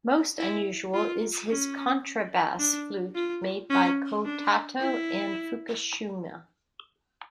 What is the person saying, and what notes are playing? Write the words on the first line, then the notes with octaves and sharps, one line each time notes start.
Most unusual is his contrabass flute made by Kotato and Fukushima.
E4
F4
C#4
D4
F4
C#4
D4
E4